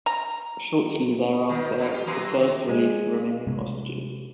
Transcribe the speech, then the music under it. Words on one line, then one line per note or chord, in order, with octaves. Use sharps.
Shortly thereafter, the Serbs released the remaining hostages.
A#5
G#2 D#3
F2 B2
F4 G4
E3 F#3 A#3
D#3
G#3
C3 G#3 A3 C#4